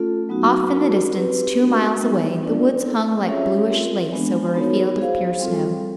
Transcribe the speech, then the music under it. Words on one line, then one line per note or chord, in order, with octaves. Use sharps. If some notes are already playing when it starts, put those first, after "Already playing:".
Off in the distance, two miles away, the woods hung like bluish lace over a field of pure snow.
Already playing: A3 C#4 F4 A4
F#3 B3 D#4 F#4
D#4 F#4 A#4
C4 E4 G4 B4
A3 D4 F#4 A#4
G3 B3 D#4
B3 D4 F4 A#4 D5
C4 E4 A4
C#4 F4 G#4 C#5 E5
C4 F4 A#4
G#3 B3 D4
B3 D#4 F#4 A#4 C#5
E4 G#4 C5 F5
G3 C4 F4 A4